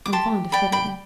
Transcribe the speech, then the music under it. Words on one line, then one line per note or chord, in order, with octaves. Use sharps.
I'm fond o' fiddling.
D6
G4 A5 C6
D5 G5 B5
G5 B5